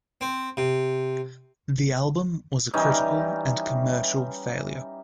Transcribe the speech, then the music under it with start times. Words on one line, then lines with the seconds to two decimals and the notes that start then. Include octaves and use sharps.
The album was a critical and commercial failure.
0.21 C4
0.57 C3
2.74 E3 G3 C#4 D#4